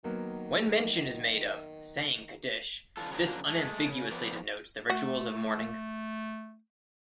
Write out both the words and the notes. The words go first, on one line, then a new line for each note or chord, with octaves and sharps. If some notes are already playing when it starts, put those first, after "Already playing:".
When mention is made of "saying Kaddish", this unambiguously denotes the rituals of mourning.
D#3 F#3 A#3 B3
E3 D4 F4 A4
C#3 F3 F#3 A#3 D4
G#3 A3
C#3
F3 B3 C4 B4 D5
A3 F#4